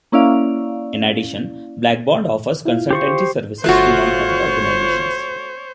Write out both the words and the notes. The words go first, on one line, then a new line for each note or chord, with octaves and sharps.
In addition, Blackbaud offers consultancy services to nonprofit organizations.
A#3 C#4 E4 D5 F5
E4 F4 F5
G4 C5 C#6
G1 A3 F4 F#4 C5 C#5 F#6